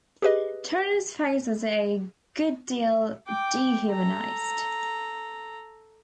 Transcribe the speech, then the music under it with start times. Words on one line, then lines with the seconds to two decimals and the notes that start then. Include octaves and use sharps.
Turner's face was a good deal dehumanized.
0.22 G4 G#4 B4 D#5
3.27 G5 D6
3.90 A4 A#5